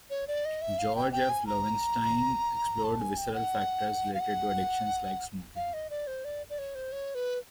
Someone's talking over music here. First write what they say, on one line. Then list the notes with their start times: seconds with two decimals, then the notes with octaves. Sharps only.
George F. Loewenstein explored visceral factors related to addictions like smoking.
0.10 C#5
0.28 D5
0.45 D#5
0.62 E5
0.79 F5
0.96 G5
1.12 G5
1.30 G#5
1.47 A#5
2.84 A5
3.00 G#5
3.17 G5
3.34 F#5
4.14 F5
4.20 F#5
5.56 F5
5.73 D#5
5.90 D5
6.07 C5
6.25 D5
6.50 D5
6.59 C#5
6.75 C5
6.92 C#5
7.15 B4